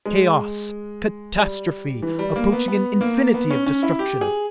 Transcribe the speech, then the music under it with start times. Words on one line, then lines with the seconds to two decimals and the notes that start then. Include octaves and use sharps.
Chaos, catastrophe, approaching an infinity of destruction.
0.06 G#3
1.36 G3
2.02 E3
2.19 G3
2.36 A#3
2.52 B3
2.68 B3
3.01 A#3
3.34 B3
3.50 C#4
3.66 C#4
3.83 E4
3.99 G4
4.21 G#4